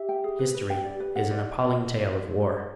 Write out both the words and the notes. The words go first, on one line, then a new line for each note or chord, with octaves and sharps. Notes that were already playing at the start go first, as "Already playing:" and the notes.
History is an appalling tale of war.
Already playing: G4 E5
G5
G#4
B4
B4
G5
G4 D5
B4
F#5
D5